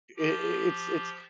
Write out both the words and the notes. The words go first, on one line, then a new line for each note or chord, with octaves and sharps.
it's it's
F3 G4